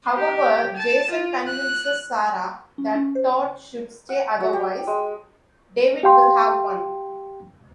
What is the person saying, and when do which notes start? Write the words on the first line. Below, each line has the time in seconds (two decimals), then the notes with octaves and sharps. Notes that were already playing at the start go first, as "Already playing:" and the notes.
However, Jason convinces Sarah that Todd should stay otherwise David will have won.
0.14 G4
0.76 A5
1.10 F4
1.47 F#6
2.78 C#4
2.95 C#4
3.15 C5
4.09 F#5
4.40 F#3
4.53 G4
4.87 G#3
6.03 G4 F5 G5 C6